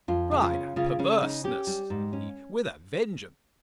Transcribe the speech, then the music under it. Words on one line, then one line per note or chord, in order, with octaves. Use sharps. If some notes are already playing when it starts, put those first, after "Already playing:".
Pride and perverseness, said he, with a vengeance!
F2 F4
C#3
F4
C#4
C#3 F4
C#3 C#4
C#4 D#4
C#4 G4
G3
G#2
C#4